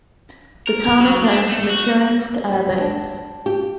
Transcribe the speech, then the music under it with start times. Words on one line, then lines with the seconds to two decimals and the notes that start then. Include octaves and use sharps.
The town is home to Michurinsk air base.
0.67 A#4
1.00 F#3
1.25 D4
1.48 A3
1.70 F#4
2.53 G3
2.81 D4
3.46 G4